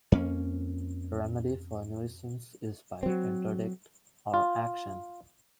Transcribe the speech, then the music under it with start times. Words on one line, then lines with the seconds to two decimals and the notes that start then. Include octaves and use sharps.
The remedy for nuisance is by interdict, or action.
0.12 F2 A#3 C#4
3.03 F#3 C4
4.34 F4